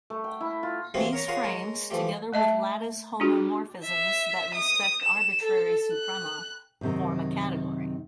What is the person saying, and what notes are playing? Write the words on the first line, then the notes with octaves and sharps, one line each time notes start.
These frames, together with lattice homomorphisms that respect arbitrary suprema, form a category.
A3
G5
E4
F4
C3 E3 A#3 C4 F#4 G#4
A#4 C#5 A#5
F4 G#4 A#4 C#5 F#5 G#5
G#3 A#4 C#5
E3 F3 A3 G4
A3 D#5 E5 A5
D4 F4 F#4 G#4
E5
D#6
E7
A4
F#6
F#2 C3 D#3